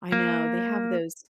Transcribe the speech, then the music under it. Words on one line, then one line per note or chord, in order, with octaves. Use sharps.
I know, they have those
A#3